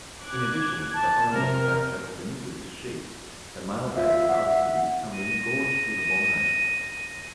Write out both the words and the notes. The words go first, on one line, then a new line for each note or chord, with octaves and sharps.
In addition to the home manufacture of iniquitous sheets, the mail-bags of other cities come in gorged with abominations.
D6 F#6 G#6
A5
F2 C3 A#4 F6
F4 E5
F#5
A#6 D#7